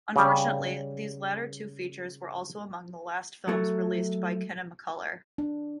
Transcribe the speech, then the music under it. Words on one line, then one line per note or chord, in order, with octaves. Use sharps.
Unfortunately, these latter two features were also among the last films released by Kinemacolor.
C#3 G3
F#3 A3
D4